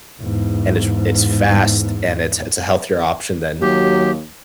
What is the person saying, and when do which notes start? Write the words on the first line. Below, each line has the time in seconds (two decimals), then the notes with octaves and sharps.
and it's it's fast, and it's it's a healthier option than,
0.22 E2 G#2
3.61 D#2 F#3 G4